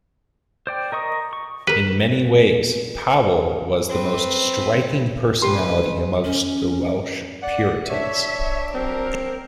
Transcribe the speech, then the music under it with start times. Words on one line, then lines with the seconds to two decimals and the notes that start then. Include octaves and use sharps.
In many ways, Powell was the most striking personality amongst the Welsh Puritans.
0.67 C5 D5 G5
0.92 A#4 D#5 C#6 D#6
1.33 C#6
1.67 G4 A#4 B4
3.89 C4 B4
5.42 C#4 G4 B4 C6
6.24 C#4
7.43 D5 F#5
7.89 D4 C#5 E5
8.74 F#3 C4 A#4